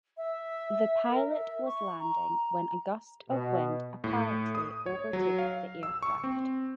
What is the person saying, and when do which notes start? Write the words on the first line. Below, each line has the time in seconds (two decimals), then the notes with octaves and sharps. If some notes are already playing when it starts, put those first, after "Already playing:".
The pilot was landing when a gust of wind apparently overtook the aircraft.
0.17 E5
1.08 A#4
1.30 E5
1.65 C#6
1.99 A#5
3.29 B2
4.04 A2
4.55 D#6
4.86 C#5
5.13 F#3
5.38 F5
5.83 E6
6.03 C#6
6.24 C4